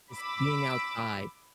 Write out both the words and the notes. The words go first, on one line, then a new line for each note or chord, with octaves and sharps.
just being outside,
B5 D6 E6